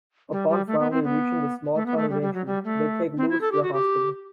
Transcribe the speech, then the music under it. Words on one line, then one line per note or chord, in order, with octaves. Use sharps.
Upon finally reaching the small town of Aintry, they take Lewis to the hospital.
G3
G3
A3
B3
C4
B3
A3
B3
A3
G3
G3
F#3
G3
A3
C4
E4
A4
G4
F#4
G4